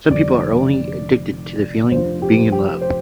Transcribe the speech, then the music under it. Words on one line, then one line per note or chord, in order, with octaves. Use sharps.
Some people are only addicted to the feeling of being in love.
F1 F2 D3 G3 C4 D5
F1 F2 F3 D4 F4 C5
G4
G4
C5